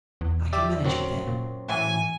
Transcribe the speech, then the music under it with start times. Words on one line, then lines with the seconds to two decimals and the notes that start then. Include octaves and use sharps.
I can manage it then.
0.21 E2
0.53 G4 D5 E5
0.85 F#2 F#3 C4
1.27 A#2
1.68 A2 E3 G#5